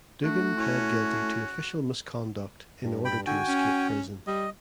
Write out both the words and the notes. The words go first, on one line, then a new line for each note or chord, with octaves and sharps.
Dugan pled guilty to official misconduct in order to escape prison.
A3 D4 F#4
C#4 E4
G2
G5 B5
D3 F#4 G5 G#5
C#4
G3 D#5